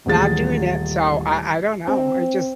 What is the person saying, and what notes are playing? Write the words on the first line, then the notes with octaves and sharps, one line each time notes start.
not doing it, so, I I don't know, I just
D#1 A1 G#4 A6
C4